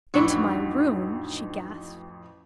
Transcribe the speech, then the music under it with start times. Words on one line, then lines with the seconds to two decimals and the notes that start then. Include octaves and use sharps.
"Into my room?" she gasped.
0.14 A1 F2 E3 F#3 D4 D#4 B5